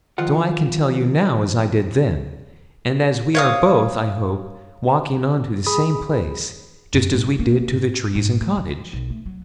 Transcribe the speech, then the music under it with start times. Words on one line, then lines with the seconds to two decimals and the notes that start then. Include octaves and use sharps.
So I can tell you now as I did then; and as we are both, I hope, walking on to the same place just as we did to the trees and cottage.
0.18 D#3 F3 F4 F#5
3.35 C#5 F5 D#6
5.67 G#4 B5 D#6
6.94 F#2
7.13 G#2
7.39 A#3
7.71 G#2
8.15 G#2
8.41 A3
8.57 F3
8.93 B1
9.10 A3
9.26 F#3